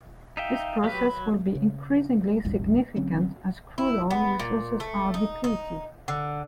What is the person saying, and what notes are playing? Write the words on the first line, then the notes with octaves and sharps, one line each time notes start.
This process will be increasingly significant as crude oil resources are depleted.
D#4 E5 F5 G5
F#3 G4 B4
B5
F#3
C#3
E1 A1 D#2 G3
D3 F#3 C4 C#4
E4
B3
A#2
A3
D#4
D#4
D3